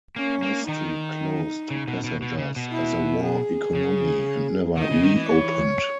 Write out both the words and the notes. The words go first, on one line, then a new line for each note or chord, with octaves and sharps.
High Street closed to passengers as a war economy and never reopened.
A#3 C#4
A#3
D#3 D#4
C#3
B2
B2
B2
C#3
B2
E4
G#4
C#3
D#3 D#5
C#3
D#3
E3
C#5